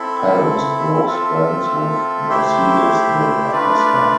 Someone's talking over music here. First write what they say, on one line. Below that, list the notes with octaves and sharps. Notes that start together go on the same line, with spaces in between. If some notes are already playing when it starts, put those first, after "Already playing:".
Pell was close friends with Mercedes de Acosta.
Already playing: C4 E4 A4 E5
C4 F4 A4 E5
A3 E4 G4 C5 E5
A3 D4 F4 B4 D5